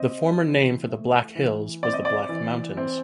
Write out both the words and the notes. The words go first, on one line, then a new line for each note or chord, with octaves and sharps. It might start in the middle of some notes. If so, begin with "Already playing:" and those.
The former name for the Black Hills was the Black Mountains.
Already playing: C4 D#5
E3
A3
E3
C4 D5
D#5
D5
E3
C4